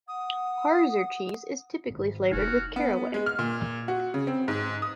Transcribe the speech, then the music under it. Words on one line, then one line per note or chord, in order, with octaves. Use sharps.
Harzer cheese is typically flavoured with caraway.
F#5 D#6
G#1
F1 D#4 F#4 F6
B3
G#3
F6
A#2
F#4
C#3
C4
G#2
D#6